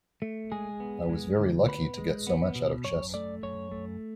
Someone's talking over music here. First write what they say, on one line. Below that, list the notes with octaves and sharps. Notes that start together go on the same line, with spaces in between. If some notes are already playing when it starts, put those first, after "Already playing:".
I was very lucky to get so much out of chess.
A3
G#3 G#4
B3
G#3
D2
B3 B4
G#3
B3
B2
F#2 C#5
A3 D5
F#2 C#5
A3